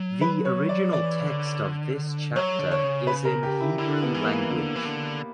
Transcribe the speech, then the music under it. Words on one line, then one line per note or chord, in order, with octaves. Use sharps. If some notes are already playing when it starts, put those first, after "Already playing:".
The original text of this chapter is in Hebrew language.
Already playing: F#3
B4
C#5
D5
E3 D5
D3
F#3 C#5
D3
C#5
C#3
B4
A#4
G4
E4
D3 E4
B3
E3
A#3
D3
E3
D3